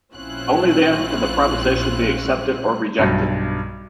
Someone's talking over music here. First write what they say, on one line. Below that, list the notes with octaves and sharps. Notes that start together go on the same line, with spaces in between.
Only then can the proposition be accepted or rejected.
A#1 C4 C#4 E4 F4 F#6
B1 G2